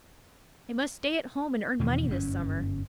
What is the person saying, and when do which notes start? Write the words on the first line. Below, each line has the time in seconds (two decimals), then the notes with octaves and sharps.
I must stay at home and earn money this summer.
1.79 E2 B2 D#3 E3
2.09 G1 F#2 C#4